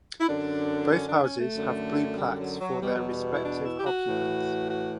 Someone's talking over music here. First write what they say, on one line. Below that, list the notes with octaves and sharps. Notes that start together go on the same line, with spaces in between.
Both houses have blue plaques for their respective occupants.
E4
F#2 D3 D4
C#4
D4
C#4
A3
F#2 D3
G3
F#3
F#3
E2 B2 G3
F#3
G3
E4
D4
E4
G4
F#4
A2 E3
F#4